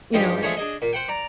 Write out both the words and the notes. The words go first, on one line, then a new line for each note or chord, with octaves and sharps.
You know, it's
G2 F3 G#3 D#4 G4
F3 G#3 A3 D4 G#4 C#5
D4 G#4 D#5
A#2
C5 F#5 G5
D5 A#5